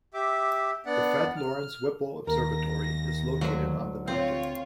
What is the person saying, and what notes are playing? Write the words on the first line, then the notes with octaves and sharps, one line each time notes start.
The Fred Lawrence Whipple Observatory is located on the mountain.
G4 E5 D6
B3 D4 D5 F#5
F6
D#2 A#4 A#6
D2 F#3
C4 F4 C#5